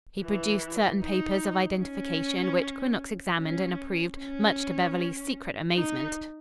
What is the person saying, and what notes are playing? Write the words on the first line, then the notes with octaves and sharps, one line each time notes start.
He produced certain papers of identification which Quinnox examined and approved, much to Beverly's secret amazement.
E3
D#4
C#4
C#4
C#4
D#4